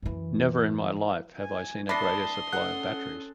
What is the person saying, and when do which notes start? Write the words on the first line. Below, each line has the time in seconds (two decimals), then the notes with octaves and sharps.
Never in my life have I seen a greater supply of batteries.
0.02 F#2 E3
1.39 G#5
1.89 A3 D4 A5 B5 C6 D#6 A#6 C7
2.53 C#4 A4 F#5 F#6